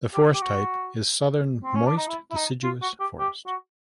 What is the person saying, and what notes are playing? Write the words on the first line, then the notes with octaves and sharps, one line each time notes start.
The forest type is Southern moist deciduous forest.
G4
G4
F#4
C4
C#4
D4
D#4
E4
E4
D#4
F4
F#4
G4
G4
F#4